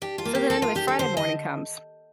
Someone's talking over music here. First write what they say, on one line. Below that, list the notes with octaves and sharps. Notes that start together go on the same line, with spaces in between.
So then anyways, Friday morning comes
D4 G4
F4
A#3
G4
D4 A4
F4
D4 G4
A4
D3 C5
D#5